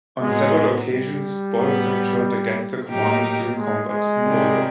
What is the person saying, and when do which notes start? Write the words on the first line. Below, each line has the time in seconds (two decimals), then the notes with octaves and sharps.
On several occasions, Bolos have turned against their commanders during combat: in Bolo!
0.21 A2 F#3 G#3 B3
0.89 G3
1.56 A2 F#3 B3
2.90 A2 F#3 A#3 D#4 G4
3.57 G#3
3.90 G#3
4.23 C3 D#3 G3